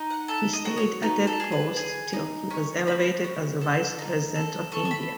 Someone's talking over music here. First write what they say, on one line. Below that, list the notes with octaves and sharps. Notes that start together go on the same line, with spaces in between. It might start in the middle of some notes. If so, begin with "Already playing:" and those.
He stayed at that post till he was elevated as Vice-President of India.
Already playing: D#4
F#5
A4 E5
D#5
F#4
C#5
D#4 B4
A4
G#4
B4
G#4
D#4
C#4 C#5
F#4 B5
C#4
A4
D#4
A4
A4 C#6
C#6
B5